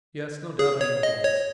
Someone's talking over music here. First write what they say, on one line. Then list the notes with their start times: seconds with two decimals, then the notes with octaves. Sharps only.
Yes, no doubt I am jealous.
0.59 G#4
0.81 C#5
1.03 D#5
1.24 C#5